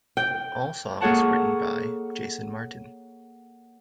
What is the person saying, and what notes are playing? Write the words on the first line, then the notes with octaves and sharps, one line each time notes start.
All songs written by Jason Martin.
G5
A#3 G#4 A4 C#5 F#5 A5